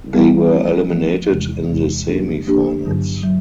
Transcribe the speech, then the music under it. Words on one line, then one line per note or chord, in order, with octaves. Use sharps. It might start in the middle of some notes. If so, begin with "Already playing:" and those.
The were eliminated in the semi finals.
E3 G3 B3 E4
F3 A3 C4
F3 A3 C4
E2 C3 E3 G#3
E2 C3 E3 G#3
F3 A#3 D4 G4
F3 A#3 D4 G4
G2 D3 F#3
F#3